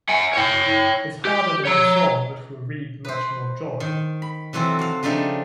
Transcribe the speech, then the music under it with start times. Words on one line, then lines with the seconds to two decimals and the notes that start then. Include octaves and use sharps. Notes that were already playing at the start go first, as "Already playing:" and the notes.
It's harder than before; but we reap much more joy.
0.09 F#5 G#5
0.33 C#5 G5
1.25 G4
1.65 C#5 A#5
3.05 B4 C5
3.80 D#3
4.22 B5
4.53 C3 E3 F#3 C4 A4
4.79 F#4 F5
5.03 C#3 F3 A3 D4 D#4 G4